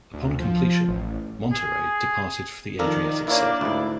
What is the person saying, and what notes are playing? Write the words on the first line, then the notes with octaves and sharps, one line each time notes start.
Upon completion, "Monterey" departed for the Adriatic Sea.
D2
F3
A1
G#4
D#3 F3 A4 A#4 D5
A#3 D4 E4 C#5 D5
D2 G#2 E4